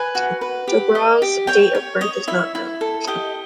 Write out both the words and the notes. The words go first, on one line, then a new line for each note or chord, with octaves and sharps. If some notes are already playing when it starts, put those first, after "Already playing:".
Dobrawa's date of birth is not known.
Already playing: B4 G#5
F#4
B4
G4
D#5
G4
C#5 G5
C#5
C#5 D#5
E4 E5
E4
A4
G4 D#5